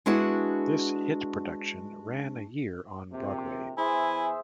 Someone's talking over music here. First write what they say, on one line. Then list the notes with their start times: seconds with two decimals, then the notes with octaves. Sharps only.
This hit production ran a year on Broadway.
0.06 G#3 B3 D4 E4 F#4 G#4
3.12 A#1 C3
3.78 E2 E4 G#4 C5 E5 G#5